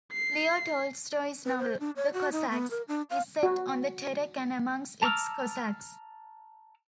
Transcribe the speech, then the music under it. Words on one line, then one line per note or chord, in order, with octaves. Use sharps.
Leo Tolstoy's novel "The Cossacks" is set on the Terek and amongst its Cossacks.
C7
B4
C5
D4
C#5
F#4
D#4
B3
A#4
D4
F5
F#4
A5 A#5 D6 E6 F6